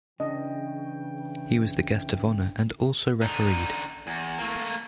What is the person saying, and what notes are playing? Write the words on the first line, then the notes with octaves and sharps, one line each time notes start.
He was the guest of honour, and also refereed.
C#3 E3 D4 D#5 G5
D3 D#4
E2
A3 A#3